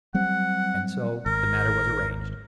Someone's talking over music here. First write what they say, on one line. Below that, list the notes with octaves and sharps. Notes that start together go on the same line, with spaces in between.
And so the matter was arranged.
F#3 G3 C4 F#5
G#1 A#4